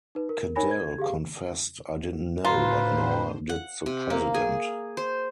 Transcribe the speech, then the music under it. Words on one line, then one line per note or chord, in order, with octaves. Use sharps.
Cadell confessed 'I didn't know but nor did the president.
D#4 B4
A#4
D#4 A#4 C#5 G#5 B5 A#6
G#6
G4 G#4 F5
A2 D3 F4 F#4 B4 C5 A#5 C6
F#5
C3
A#3
G#4
C5